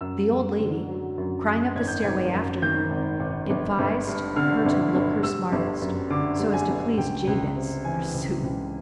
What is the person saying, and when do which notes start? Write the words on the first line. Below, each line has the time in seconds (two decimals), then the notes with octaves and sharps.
The old lady, crying up the stairway after her, advised her to look her smartest--so as to please Jabez, forsooth!
0.01 F#2 E6
0.30 F#2
0.59 D3
0.88 F#3
1.18 F#2
1.46 F#2
1.76 G#1 G#6
1.88 G6
2.01 G#1 G#6
2.34 F#2
2.62 D#3 G6
2.91 G#1
3.20 G#1
3.50 G1
3.79 G1
4.07 G2
4.36 D3 F6
4.65 G1
4.95 G1
5.23 G3 E6
5.52 G1
5.82 F#2
6.10 D3 D6
6.39 G3
6.53 G#5
6.69 G1
6.97 C#2 G5
7.27 C#2
7.55 C3
7.85 E3 G#5
8.14 C#2
8.43 C#2